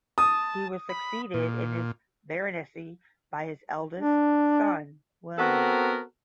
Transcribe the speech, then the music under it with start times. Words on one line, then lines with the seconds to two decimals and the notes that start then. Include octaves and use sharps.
He was succeeded in his baronetcy by his eldest son William.
0.18 A5 D#6
0.89 B5
1.34 A#2
4.01 D4
5.38 B3 C4 F#4 A4 A#4